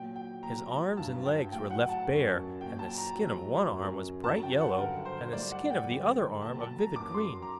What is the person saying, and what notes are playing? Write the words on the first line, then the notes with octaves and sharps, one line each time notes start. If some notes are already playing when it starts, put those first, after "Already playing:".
His arms and legs were left bare and the skin of one arm was bright yellow and the skin of the other arm a vivid green.
Already playing: A#2 F#3 G5
G5
A#2 F#3 A#5
G2 F#3 A5
G5
A2 F#3 G5
F#5
A5
F#2 F#3
A#2 F#3 G5
A5
A#5
A2 F#3
F#2 F#3
F#2 F#3 A5
G5
F#5
G2 D3 F#3 A#4
C5
A2 G3 D5
F#5
G5
G2 D3 G3
A#2 F#3 A5
A5
A#5
F#2 F#3 D6
C6
A#5